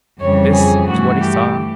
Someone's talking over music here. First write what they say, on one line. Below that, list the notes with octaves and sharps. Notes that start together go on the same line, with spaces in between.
This is what he saw.
F2 C#3 E3 G3 C#5
G#4
G2 E3 A3 F#4
G4